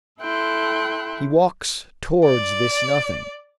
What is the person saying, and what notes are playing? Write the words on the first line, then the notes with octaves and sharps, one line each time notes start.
He walked towards this Nothing.
E4 A4 G5 C6 F#6
D5